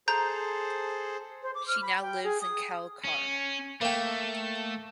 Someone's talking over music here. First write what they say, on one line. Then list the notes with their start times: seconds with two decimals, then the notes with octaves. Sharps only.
She now lives in Kalkara.
0.08 G#4 A4 C5 A#5 G6
1.43 C5
1.55 D6
1.68 F6
1.82 B5
2.02 G5
2.24 G#4
2.41 D#6
3.04 C#4
3.81 A3 A#3 G5